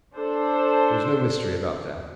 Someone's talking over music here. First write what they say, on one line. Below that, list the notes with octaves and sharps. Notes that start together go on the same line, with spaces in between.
There is no mystery about that.
D4 A4 C5